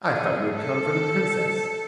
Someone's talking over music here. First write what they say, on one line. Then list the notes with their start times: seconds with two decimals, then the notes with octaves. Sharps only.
'I thought you had come from the Princess.
0.13 G#4
0.54 A4